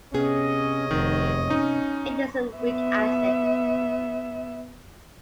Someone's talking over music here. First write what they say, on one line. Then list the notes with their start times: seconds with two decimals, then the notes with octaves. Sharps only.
It is a weak acid.
0.14 C3 B3 C#4 G#4 C#5 D#5
0.91 F1 D#3
1.50 C#4 D#4
2.56 B3 E5